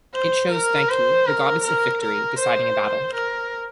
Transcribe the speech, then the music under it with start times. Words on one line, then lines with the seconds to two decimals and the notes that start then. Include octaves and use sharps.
It shows Nike, the goddess of victory, deciding a battle.
0.14 C5
0.51 A#4
0.89 C5
1.26 A#4
1.64 A#4
2.02 A#4
2.39 C5
3.14 A#4